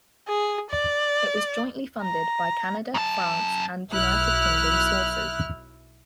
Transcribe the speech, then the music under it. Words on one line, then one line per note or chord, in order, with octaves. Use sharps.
It was jointly funded by Canada, France, and United Kingdom sources.
G#4
D5
A#5
F#2 A5
B1 E4 F6 F#6